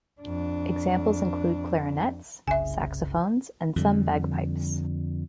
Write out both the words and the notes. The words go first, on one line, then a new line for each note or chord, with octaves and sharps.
Examples include clarinets, saxophones, and some bagpipes.
F2 D4
F#1 C2 C#3 E5 G#5
F2 D3 G3